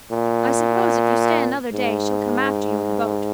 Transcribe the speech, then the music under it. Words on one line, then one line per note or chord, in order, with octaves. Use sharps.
I suppose, if you stay another day, she'll come after you in the boat.
A#2
G#2